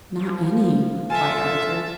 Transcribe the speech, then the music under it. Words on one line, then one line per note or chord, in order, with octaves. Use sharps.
"Not any," replied Arthur.
F3
F4 A4 E5 G#5 A5